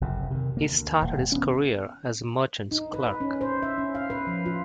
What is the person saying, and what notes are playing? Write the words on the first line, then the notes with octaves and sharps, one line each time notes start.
He started his career as a merchant's clerk.
F#1 F2 C3
C3 D#3
D2 A#3
D#1
B3 C#4
D#4
B4
B4
C#4
C5
E5
C#4
F5
B4
F3
F4